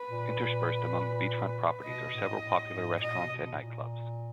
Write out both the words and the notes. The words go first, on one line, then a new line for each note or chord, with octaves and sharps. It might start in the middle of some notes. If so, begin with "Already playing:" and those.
Interspersed among the beachfront properties are several popular restaurants and nightclubs.
Already playing: B4
A#2
A#2
B2 D#5
A2
A2
G#2
A#2 D#5
B2
B2
B2
A2
A#2